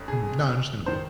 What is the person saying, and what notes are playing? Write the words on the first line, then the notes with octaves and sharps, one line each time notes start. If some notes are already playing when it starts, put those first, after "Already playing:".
Mhm, no understandable.
Already playing: G1 F2
G#4
D#3 C5